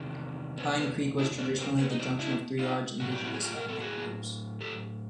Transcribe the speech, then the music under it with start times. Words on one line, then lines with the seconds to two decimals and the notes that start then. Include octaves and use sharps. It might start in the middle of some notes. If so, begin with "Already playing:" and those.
Pine Creek was traditionally the junction of three large indigenous ethnic groups.
Already playing: E2 C3 D#3
0.58 B3 C#4
0.78 B3 C#4
1.19 D4 E4
1.38 C4 D4
1.58 A#3 C4
1.79 B3 C#4
1.90 D#4
1.99 C4 D4
2.19 D4 E4
2.59 D#4 F4
3.00 A2 F#3 F#4
3.12 G4
3.24 E4 F#4
3.34 G#4
3.40 F4 G4
3.56 A#4
3.68 A4
3.80 F#4 G#4
4.61 G4 A4